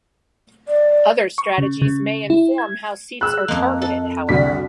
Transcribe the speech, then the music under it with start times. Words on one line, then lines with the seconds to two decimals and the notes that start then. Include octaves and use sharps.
Other strategies may inform how seats are targeted, however.
0.68 D5
1.38 C#6
1.58 C#3
1.82 C#3
2.30 E4
2.58 G#6
3.21 G#4 E6 F#6
3.48 F2 A#3 D#5
3.82 A4
4.29 C2 D3 F#4 D5 B6